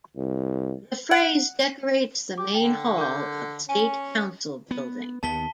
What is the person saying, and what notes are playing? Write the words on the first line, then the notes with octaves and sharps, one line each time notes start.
The phrase decorates the main hall of State Council Building.
C2
F#5
G4 D6
D3 G5
A#4 D6 G6
C#4 G#5 D#7
B3
D#2 D#3 B3 A5 B6 G7